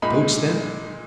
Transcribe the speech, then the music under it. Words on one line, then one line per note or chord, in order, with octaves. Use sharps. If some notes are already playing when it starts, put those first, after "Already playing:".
Goats, then?
A#2 G#3 D#4 B5